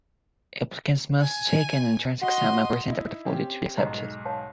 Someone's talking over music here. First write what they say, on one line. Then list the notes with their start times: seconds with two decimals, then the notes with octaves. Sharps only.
Applicants must take an entrance exam and present a portfolio to be accepted.
1.21 G#5
2.22 F#4 D#5 C6
2.90 D#4 E4
3.25 C4 C#4 G4
3.78 B1 G#2 D#5 A#5
4.25 C#5 F5 A5